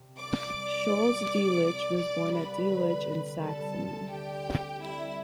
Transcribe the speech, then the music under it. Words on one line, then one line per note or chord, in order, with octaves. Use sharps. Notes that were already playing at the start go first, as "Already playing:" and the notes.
Schulze-Delitzsch was born at Delitzsch, in Saxony.
Already playing: C3
C2 D5 D6
G3
C2
C3
C2
G3 D5 D6
C2 B4 B5
D3
C4
G3 A4 A5
D2
D3 G4 G5
C4
G3 E4 E5